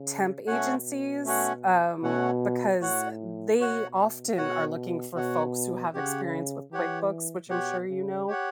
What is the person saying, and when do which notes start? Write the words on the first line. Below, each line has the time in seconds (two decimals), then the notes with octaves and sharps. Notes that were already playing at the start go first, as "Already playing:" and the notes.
temp agencies, um, because they often are looking for folks who have experience with QuickBooks, which I'm sure you know.
Already playing: C#3
0.47 B2 A3 C#4 F#4 C#5 F#5
1.25 A3 C#4 F#4 C#5 F#5
2.03 B2 A3 C#4 F#4 C#5 F#5
2.81 A2 F#4 C#5 F#5
3.59 B2 F#4 C#5 F#5
4.38 B2 F#4 C#5 F#5
5.16 B2 F#4 C#5 F#5
5.94 C#3 G4 C#5 F#5
6.72 E3 G4 C#5 F#5
7.50 B2 G4 C#5 F#5
7.89 C#3
8.28 G4 C#5 F#5